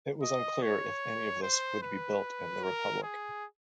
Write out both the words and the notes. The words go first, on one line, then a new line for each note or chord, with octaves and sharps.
It was unclear if any of this would be built in the Republic.
D#5
C#5
C5
B4
A#4
G#4